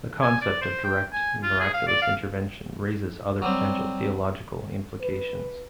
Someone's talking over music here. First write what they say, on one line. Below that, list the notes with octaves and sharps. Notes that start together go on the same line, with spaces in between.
The concept of direct miraculous intervention raises other potential theological implications.
G#5
D5
C5
G5
G#5
F4
G#4
F5
D5
F5
F#3 G3 C4
B4